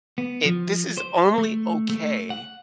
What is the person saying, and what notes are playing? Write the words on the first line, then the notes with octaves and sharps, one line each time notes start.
it this is only okay
B3
F3
C5
A3
A3
F#5